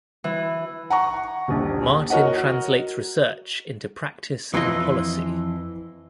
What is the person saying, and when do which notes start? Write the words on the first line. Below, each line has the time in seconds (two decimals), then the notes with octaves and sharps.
Martin translates research into practice and policy.
0.24 E3
0.90 F#5 A#5 C#6
1.48 D#1 A#1
2.10 F#4 A#4 C#5 D#5 F#5
4.54 F2 E3 E4 F4 D#5